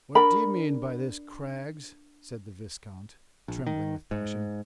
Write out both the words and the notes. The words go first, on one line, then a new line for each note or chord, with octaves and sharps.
"What do you mean by this, Craggs?" said the Viscount, trembling with passion.
D4 A#4 B5
A#1
D#3
G#2